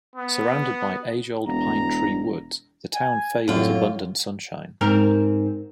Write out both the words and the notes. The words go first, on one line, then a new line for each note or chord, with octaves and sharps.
Surrounded by age-old pine tree woods, the town favors abundant sunshine.
B3
E1 A#5
G#5
F#2 A2 D3 A#3 C4 F4
G#2 C4 A#4